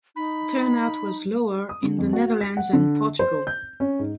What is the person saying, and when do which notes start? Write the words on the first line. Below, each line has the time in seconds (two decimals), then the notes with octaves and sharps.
Turnout was lower in the Netherlands and Portugal.
0.16 D#4 B5
1.69 D#6
1.83 D3
1.98 F2
2.13 F#4
2.41 B6
2.57 F#5
2.73 D3
3.19 C5
3.47 G6
3.80 C#4
3.99 G#2